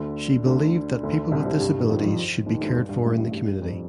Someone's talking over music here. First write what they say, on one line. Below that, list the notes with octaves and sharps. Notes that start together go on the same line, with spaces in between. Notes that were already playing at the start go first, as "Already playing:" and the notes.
She believed that people with disabilities should be cared for in the community.
Already playing: D2 D3
D2 D3
D2 D3
C2 C3
C2 C3
G2 G3
D#3
F2 F3
F2 F3
D#2 D#3
D2 D3
G2
G2
A1 A2
G2
F2